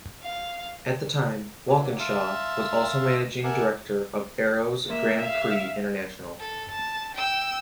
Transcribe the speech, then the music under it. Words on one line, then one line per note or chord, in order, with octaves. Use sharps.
At the time, Walkinshaw was also managing director of Arrows Grand Prix International.
F5
F#3 A3 A#3 D4
E5 F5 A5 C6 E6
A#4 E5 F#5 G#5 A5 D6
A#3 E5
E5 F5
A4
A5
G5 E6